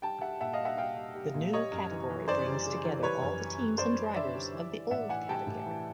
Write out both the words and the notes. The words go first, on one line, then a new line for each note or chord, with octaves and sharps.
The new category brings together all the teams and drivers of the old category.
G3 G5 A5
G3 E5 F#5
A#2 E5 F#5
D#5 F5
G3
E5 F#5
G3 F5 G5
G3
G3
A#2
G3 C#5 D#5
F#2
E3
E3
F#2 C5 D5
G3
C#3
E3
G3 B4 C#5
F#2
G3
F#2
F#2 C5 D5
F#2
D3 D5 E5
G3
E3
E3
A2 E5 F#5
E3 F#5 G#5
G3 G5 A5
A2
E3